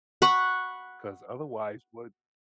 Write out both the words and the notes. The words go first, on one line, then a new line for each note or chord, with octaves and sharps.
'cause otherwise, what
F#5 B5 C#6